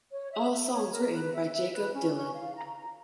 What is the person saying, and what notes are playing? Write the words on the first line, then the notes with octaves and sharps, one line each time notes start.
All songs written by Jakob Dylan.
C#5
E5
E5
C#5
A#4
B4
E5
E5
B4
C#4
C#4
F5
A#5
A#5